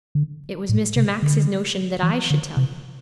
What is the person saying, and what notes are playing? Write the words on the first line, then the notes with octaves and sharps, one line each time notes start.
'It was Mr. Max's notion that I should tell you.'
D3
A2
C3
D3
E3
D3
C3